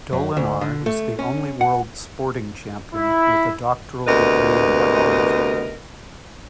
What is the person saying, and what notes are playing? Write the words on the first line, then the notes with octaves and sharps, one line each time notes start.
Dolinar is the only world sporting champion with a doctoral degree in biology.
F#2
D2
D3
A3
C#4
F#5
E4
D2 C3 B3 A#4 B4 D#5